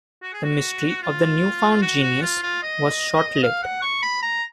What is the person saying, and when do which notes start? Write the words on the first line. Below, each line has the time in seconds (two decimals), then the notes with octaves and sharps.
The mystery of the newfound genius was short-lived.
0.23 F#4
0.33 G#4
0.44 F#4
1.02 F4
1.82 F#4
2.02 F#4
2.22 F4
2.42 F4
2.63 D#5
3.43 F5
3.63 F#5
3.82 C#6
4.02 B5
4.23 A#5